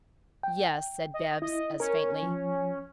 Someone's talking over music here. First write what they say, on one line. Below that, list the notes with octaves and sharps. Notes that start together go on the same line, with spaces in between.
"Yes," said Bibbs, as faintly.
G5
D#5
E4 D#5
C#4 A#4
F3